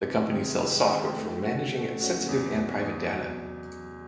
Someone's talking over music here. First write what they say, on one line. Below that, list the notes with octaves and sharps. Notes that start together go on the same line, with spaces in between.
The company sells software for managing sensitive and private data.
C3
D#3 G#3 C4
C3
D#3 G#3 C4
A3
C#4 F#4
A3
C#4 F#4
E2
B2 F#3
E2
B2 F#3